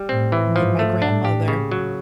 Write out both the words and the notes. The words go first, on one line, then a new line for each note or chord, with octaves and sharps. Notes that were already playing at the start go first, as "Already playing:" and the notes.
my my grandmother
Already playing: G3
A2 C4
E3
G#2 F3
A3
A2 D4
G4
A#2 C#3
F#3